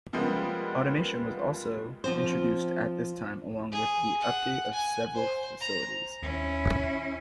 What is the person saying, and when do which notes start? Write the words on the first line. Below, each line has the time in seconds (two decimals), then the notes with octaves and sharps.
Automation was also introduced at this time along with the update of several facilities.
0.13 C#3 F3 G3 G#3 A#3 B3
2.04 F3 C4 C5
3.72 G#4
4.21 F#5
4.73 G#5
5.15 C5
5.61 A#5
6.22 D#2 C#4 E4